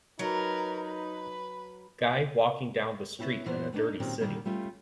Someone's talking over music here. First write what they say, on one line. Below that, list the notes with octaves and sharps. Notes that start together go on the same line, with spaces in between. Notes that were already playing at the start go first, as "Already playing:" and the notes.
Guy walking down the street in a dirty city.
F#3 D#4 A#4 B4
B4
B3 C#4 E4 G4 C#5
A#2 E3 A#3 B3 C5
A3 B3 D4 D#4
A#2 D#3 F#3 C4 C#4 G4
A#2 D3 D#3 G3 A#3
G3 A3 C#4 F4